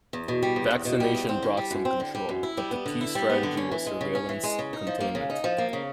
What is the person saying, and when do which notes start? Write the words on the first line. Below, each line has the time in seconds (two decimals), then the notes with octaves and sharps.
Vaccination brought some control, but the key strategy was "surveillance-containment".
0.13 E2
0.28 B2
0.42 G3
0.56 E2
0.71 E2
0.85 B2
1.00 G3
1.15 E2
1.29 C4
1.42 D3
1.57 G3
1.71 F#2
1.85 C4
2.00 D3
2.15 G3
2.29 F#2
2.43 E4
2.57 G3
2.71 B3
2.86 D3
3.01 E4
3.15 G3
3.30 B3
3.43 D3
3.57 C#4
3.71 E3
3.86 G#3
4.01 C#3
4.15 C#4
4.29 E3
4.44 G#3
4.59 C#3
4.73 D#4
4.87 F3
5.00 A#3
5.15 C#3
5.30 D#4
5.44 F3
5.58 A#3
5.73 C#3